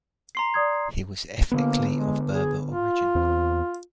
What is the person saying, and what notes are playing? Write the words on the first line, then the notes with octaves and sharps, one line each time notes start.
He was ethnically of Berber origin.
A#5 C6 C7
D5 D#6 G#6
D3 A#3 B3
G#3
G#4
F4
E2 C4